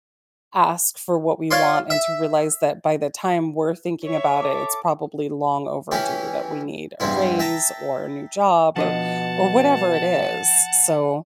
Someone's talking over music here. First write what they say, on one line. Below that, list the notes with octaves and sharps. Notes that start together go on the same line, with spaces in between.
ask for what we want and to realize that by the time we're thinking about it, it's probably long overdue that we need a raise or a new job or or whatever it is, so
F4 C#5 D5 C6
E5
C#5 E5
A4 D6
E3 C#4 E4 G4
E2 G2 B2 C4 E4
E5 G5 A5 A#5
B2 F3 D4 D#5 F#5 A5